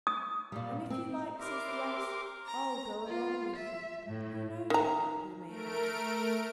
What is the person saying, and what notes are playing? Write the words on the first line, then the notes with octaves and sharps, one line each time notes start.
"And if you like," says the ass, "I'll go along with you; who knows what luck we may have!"
D#6
A#2 G3
C4
G4 A#4 B4 D5 E5 C6 D6
A#5
F4
E5
A2
D#3 A#5
A3 A#4 D7